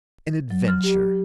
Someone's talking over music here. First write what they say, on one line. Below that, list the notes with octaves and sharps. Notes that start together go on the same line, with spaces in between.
An adventure!
F#3
F6
G4